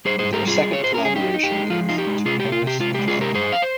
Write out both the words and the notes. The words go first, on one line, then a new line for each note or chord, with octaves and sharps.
Their second collaboration is "To Paris With Love".
G3 G#4 C5
G#4 C5
G#2
G4 A#4
G3 F4 G#4
F4
C#5
F4
C5
C#4 A#4
G#4
D#4 G4
D#4
G4
G#3
F3 F4
D#4 F4
G4
G#3
C3 F4 G#4
C3 G4
F4
C3
G4
G#3 F4
G#3 G4
F4 G#4
C3 G4 A#4
G2 G#4 C5
F5
C5